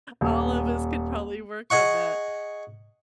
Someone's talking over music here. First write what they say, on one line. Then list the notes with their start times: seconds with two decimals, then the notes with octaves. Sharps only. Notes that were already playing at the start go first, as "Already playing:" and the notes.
all of us could probably work on that.
0.21 D#1
1.70 G#4 D#5 F#5 C#6